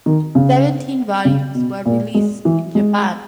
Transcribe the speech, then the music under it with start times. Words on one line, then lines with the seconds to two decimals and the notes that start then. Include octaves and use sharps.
Seventeen volumes were released in Japan.
0.06 D#3
0.35 C#3
1.25 C#3
1.55 B2
1.86 A#2
2.14 G#3
2.45 E3
2.75 G#3